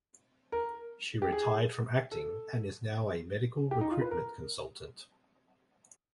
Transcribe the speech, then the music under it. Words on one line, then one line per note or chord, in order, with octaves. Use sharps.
She retired from acting, and is now a medical recruitment consultant.
A#4
G4
G#4
A4
G4
D#4
F4
B4
A#4